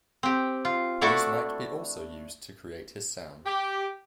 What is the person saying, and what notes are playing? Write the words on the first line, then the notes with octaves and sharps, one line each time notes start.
These might be also used to create his sound.
C4 G4
F4
A3 D4 E4 F#4 A4
G4